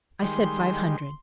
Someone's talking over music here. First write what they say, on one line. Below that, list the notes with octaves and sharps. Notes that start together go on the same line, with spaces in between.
"I said five hundred."
D#3 G3 G#3 C6